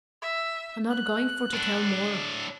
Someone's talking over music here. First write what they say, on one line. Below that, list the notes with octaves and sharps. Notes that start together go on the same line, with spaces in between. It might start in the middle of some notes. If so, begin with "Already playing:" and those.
I'm not going for to tell more.
E5
F#6
A2 D4